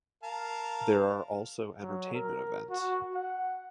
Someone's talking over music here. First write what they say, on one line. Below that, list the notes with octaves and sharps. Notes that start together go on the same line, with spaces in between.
There are also entertainment events.
A#4 F5 A5
F#3
A#4
F#4
F#5